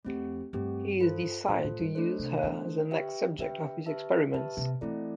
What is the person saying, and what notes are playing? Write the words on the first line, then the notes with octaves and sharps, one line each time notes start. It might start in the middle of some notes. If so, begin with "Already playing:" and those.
He has decided to use her as the next subject of his experiments.
F2 A3 C4 G4
G2 A3 C4 G4
F4 A4 C5
A2 F4 A4 C5
A2
G2
A3 D4 A4 C5
C3
D3 A3 D4 A4 C5
G4 B4 E5 G5
D3 G4 B4 E5 G5
G4 B4 E5 A5
D3 G4 B4 E5 A5
C3
E3 A3 C4 E4 A4 D5